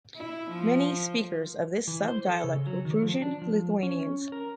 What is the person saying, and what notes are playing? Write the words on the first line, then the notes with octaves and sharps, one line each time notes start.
Many speakers of this subdialect were Prussian Lithuanians.
E4
F3
E3
C5
A4
C#3
F#3
D#3
F3
D4
F3
C#4
A#4